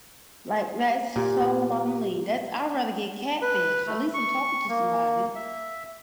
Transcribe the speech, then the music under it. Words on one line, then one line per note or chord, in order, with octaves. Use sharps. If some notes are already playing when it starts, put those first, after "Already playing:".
like, that is so lonely. That's I'd rather get catfish, at least I'm talking to somebody.
A#2 G4
B4
A3
C#6
A#3
E5